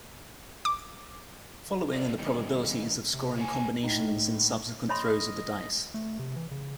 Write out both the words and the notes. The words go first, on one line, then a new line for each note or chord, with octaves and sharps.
Following are the probabilities of scoring combinations in subsequent throws of the dice.
D6
F4 G#4 B4 D5
G2 D#3 G3 B3 C#4 D#4
C3
B4 C#5 F5 G#5
A2 D#4
C#5 D#5 B5 C6
A3
C3
E3
C#3